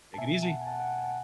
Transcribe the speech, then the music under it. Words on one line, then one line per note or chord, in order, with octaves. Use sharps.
Take it easy,
A5
B2 E5 G#5
F#5 A5
G#5
F#5 A5
F#5 A5
G#5
F#5 A5